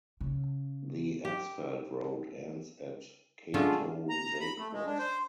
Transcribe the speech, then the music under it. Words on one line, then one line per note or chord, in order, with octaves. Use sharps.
The asphalt road ends at Kato Zakros.
C#3
G4
D3 G#3 A3 F4
A#5
B5
A3
G#3
D4
C5